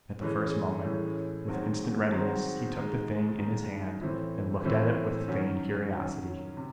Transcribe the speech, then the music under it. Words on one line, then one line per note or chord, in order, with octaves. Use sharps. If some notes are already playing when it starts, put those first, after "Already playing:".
At the first moment, with instant readiness, he took the thing in his hand, and looked at it with feigned curiosity.
A2 E3 G#3 C#4
A2 E3 G#3 C#4
G#2 D#3 F#3 C4 F#4
G#2 D#3 F#3 C4 F#4
G#2 D#3 G#3
G#2 D#3 G#3
A2 E3 C4 E4
A2 E3 C4 E4
F#2 D#3 F#3 C#4
F#2 D#3 F#3 C#4
C3